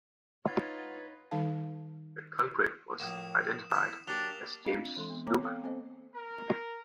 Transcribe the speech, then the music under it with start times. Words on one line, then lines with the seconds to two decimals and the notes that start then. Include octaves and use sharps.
The culprit was identified as James Snook.
0.46 D#4 F4 B4 C#5 F#5 G#6 A6
1.31 D#3 G3 D#4 A4 F5 A5
3.00 F2 A2 F#3 A#3 D#6 E7
3.70 E3 E4 B4 E7
4.07 F#3 A#3 D4 G4 A#4 F7 G7
4.65 C4 D4 F4 D#5 F5
4.97 E3 G#3 A4 C6
5.10 B3
5.27 B3 C4 C#5 A#5 D6
5.43 A4 F5 G5
5.63 A#3 C4 A4 C5 D#5
6.14 A#4